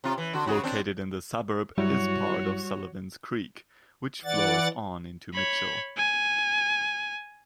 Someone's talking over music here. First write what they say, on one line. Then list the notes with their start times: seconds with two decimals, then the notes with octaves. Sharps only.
Located in the suburb is part of Sullivans Creek, which flows on into Mitchell.
0.04 C3 F4
0.18 E3
0.33 D3 F#4
0.46 C#3 F#4 G#4
0.64 C4 D4
1.78 G2 F#3 G3 E4 F#4 C#5
4.24 E3 D5 F#5 A6
5.34 C#5 B5
5.97 G#5